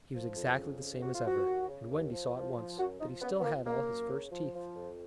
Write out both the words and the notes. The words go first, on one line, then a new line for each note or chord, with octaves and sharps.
He was exactly the same as ever, and Wendy saw at once that he still had all his first teeth.
F3
F2
C#3
F2
F3 F#4
F4
F3 F#4
D#2
C#3
D#2
F3
F3
F3
F#2 F#4
F3 D#4
C#3 B3
B3
F3 A#3
C#3 A#3
F#2
C#3
F3
F3
F2